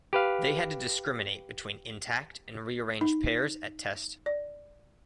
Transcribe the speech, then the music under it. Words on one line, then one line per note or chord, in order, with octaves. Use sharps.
They had to discriminate between intact and rearranged pairs at test.
G4 B4 F5
D#4
D5